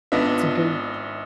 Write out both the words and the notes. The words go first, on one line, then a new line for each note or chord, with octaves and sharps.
to go
G#1 B3 D4 F4 D#5 E5